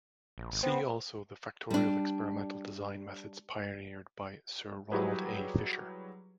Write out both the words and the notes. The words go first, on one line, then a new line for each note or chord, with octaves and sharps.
See also the factorial experimental design methods pioneered by Sir Ronald A. Fisher.
A#1
G#1
B3 C4
G3 D4
F#3 G3 E4 G4 G#4 B4